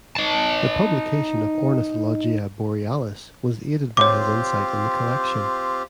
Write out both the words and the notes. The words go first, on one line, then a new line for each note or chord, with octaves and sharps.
The publication of "Ornithologia Borealis" was aided by his insight in the collection.
D#4 A5
C4 F4 G4 C#5 D6